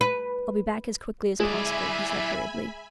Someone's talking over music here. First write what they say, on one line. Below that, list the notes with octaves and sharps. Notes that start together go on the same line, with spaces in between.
"I'll be back as quickly as possible," he said hurriedly.
B4
G#3 E4 D5 E5 G#5 B5